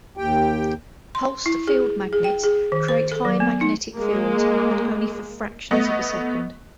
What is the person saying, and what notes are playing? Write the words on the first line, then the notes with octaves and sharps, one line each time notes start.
Pulsed field magnets create high magnetic fields, but only for fractions of a second.
D#2 G4 G5
C6
E4
G#4
G#4
G5
G#4
D#3
C5
A4
F#3
B3
D#4
G#3 A#3
A3 B3 D#5